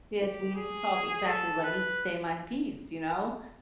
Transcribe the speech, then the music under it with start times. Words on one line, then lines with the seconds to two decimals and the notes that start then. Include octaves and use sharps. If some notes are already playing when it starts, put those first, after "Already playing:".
Yes, we need to talk exactly, "Let me say my piece," you know.
0.20 G4
0.55 G#4
1.27 A4
1.64 B4